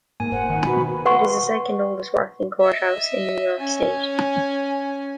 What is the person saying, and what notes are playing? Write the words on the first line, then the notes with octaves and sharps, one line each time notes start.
It is the second oldest working courthouse in New York State.
G#2 A#3 G#5
F1 C5 F#5
D#3
B2 F#4 B4 B5
B4 F#5 C6 C#6
D#5 E5
C#4 G#5